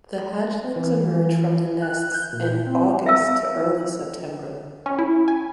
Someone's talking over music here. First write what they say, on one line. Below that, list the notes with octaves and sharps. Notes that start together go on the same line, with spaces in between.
The hatchlings emerge from the nests in August to early September.
E3
F#6
G6
A#2
C4
E5 F5 E6
C#4
E4
G#5